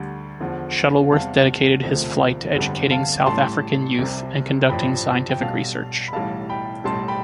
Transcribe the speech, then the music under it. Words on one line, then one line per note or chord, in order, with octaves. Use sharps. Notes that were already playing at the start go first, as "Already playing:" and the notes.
Shuttleworth dedicated his flight to educating South African youth and conducting scientific research.
Already playing: D2 D3 G3
E2 D3 F3
E2 C3 G3 F5 A5
E1 D2 C3 F3
G1 F2 D3 G3
F5 A5
A1 A2 G3 A5 C6
C2 C3 G3
A1 G2 F3 G5 B5
G5
B1 B2 G3 F5 A5
B5
B1 A2 E3 G3 F5 A5
G5 B5
B1 A2 G3 A5 C6
G5 B5